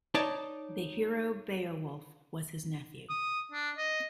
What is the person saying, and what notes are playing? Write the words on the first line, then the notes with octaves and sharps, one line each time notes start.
The hero Beowulf was his nephew.
D#4 C#5 D5 A5
D#6
D4
D#5